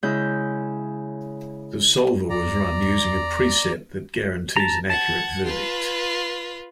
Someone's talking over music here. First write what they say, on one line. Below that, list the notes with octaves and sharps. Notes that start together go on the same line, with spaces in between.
The solver was run using a preset that guarantees an accurate verdict.
C#3 G#3 E4 G6
E2 D5 A#5
A5 A#5
F#5 A5 G#6
F4 B4